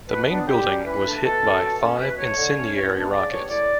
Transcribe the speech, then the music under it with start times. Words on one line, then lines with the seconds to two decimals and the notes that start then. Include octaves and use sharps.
The main building was hit by five incendiary rockets.
0.09 B2 B4
0.28 F#3 B3 D4
0.47 D3 G4
0.66 G3 C#4
0.85 E3 B4
1.04 A3 D4
1.22 B2 A4
1.41 F#3 C#4
1.60 B2
1.79 A3 C#4
1.98 B2 B4
2.16 A3 D4 C#5
2.36 D3
2.55 A3 C#4
2.74 E3
2.93 B3 D4
3.12 C#3 D5
3.31 G3 B3 D4 C#5
3.50 A2 D5